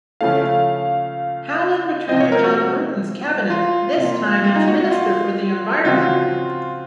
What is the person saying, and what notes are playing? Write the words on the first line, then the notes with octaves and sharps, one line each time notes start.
Howlin returned to John Bruton's cabinet, this time as Minister for the Environment.
C#3 F3 A3 C#4 F5
C3 F3 C4 D#5
C#5
A#4
F#4
F4
C3 F3 A#3
F4
D#4
F#4
F#4
F4
C#3 F3 C4 F4 F#4